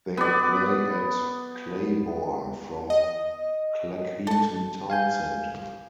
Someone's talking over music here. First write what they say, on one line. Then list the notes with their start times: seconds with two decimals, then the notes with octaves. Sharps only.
They play at Clayborn, from Cleckheaton town centre.
0.17 B3 D5
2.90 D#5
4.27 A4 A5
4.90 F5 G#5 G6